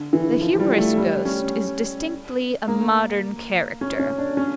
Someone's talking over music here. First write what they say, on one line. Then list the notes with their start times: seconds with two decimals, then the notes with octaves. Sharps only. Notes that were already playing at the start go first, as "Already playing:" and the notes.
The humorous ghost is distinctly a modern character.
Already playing: D3
0.13 E3
0.41 F3
0.54 F3
0.59 G3
0.78 A3
0.98 G3
1.25 C#4
2.68 A#3
3.81 C#4
3.99 C#4
4.18 D4
4.37 C#4